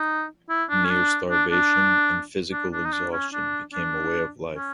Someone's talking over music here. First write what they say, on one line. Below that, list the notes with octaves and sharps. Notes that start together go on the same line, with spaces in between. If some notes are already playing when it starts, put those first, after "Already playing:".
Near-starvation and physical exhaustion became a way of life.
Already playing: D#4
E4
D4
C#4
D4
D4
D4
D4
D4
D#4
D4
C#4
D4
D4
C#4